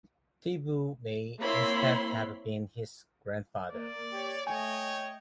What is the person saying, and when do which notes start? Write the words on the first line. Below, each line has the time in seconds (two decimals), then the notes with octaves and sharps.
Thibaud may instead have been his grandfather.
1.40 A#3 C4 E4 C#5 B5 C6
3.71 A#3 D5
4.13 G4 C#5
4.47 A3 C#5 D#5 G5 G#5